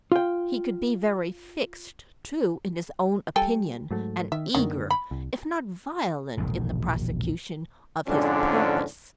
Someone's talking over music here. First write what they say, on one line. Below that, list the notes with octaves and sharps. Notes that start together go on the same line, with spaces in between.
He could be very fixed too in his own opinion, and eager, if not violent, in the prosecution of his purpose.
F4 G5
G3 A4 G5 G#5
G#2 F#3 A3
D#3 E5
F#2 D3 D#3 A#3
B5
C2
E1 A#1 G#2
F2 G#2 D3 C#4 D4